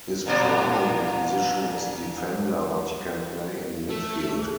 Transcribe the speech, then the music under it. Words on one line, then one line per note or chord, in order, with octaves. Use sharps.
His primary position is defender but he can play in midfield.
G2 A#2 D5
A3
G#4